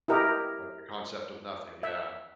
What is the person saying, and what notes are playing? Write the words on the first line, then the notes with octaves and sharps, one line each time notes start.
Like, the concept of nothing, yeah.
E4 G4 A#4 D#5
E5